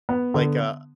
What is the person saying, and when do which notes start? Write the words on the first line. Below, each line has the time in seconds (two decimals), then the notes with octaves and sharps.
Like, uh
0.09 B3
0.34 D3